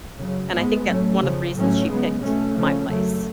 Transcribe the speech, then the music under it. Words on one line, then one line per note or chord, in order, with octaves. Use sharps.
and I think that's one of the reasons she picked my place.
F#2 C#3 F#3
G#2 G#3 B3
A2 F#3 A3 C#4
F2 C#3 F3
A2 F#3 A3 C#4
C#3 G#3 B3
B2 A3 C#4
C#3 F3 A3 C#4
F#2 C#3 F#3 A3